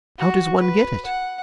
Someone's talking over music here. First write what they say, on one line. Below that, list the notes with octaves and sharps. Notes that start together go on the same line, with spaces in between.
"How does one get it?"
F#4
B4
F#5